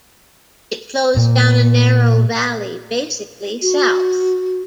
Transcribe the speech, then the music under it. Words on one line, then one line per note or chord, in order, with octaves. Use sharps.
It flows down a narrow valley, basically south.
A#2
F#4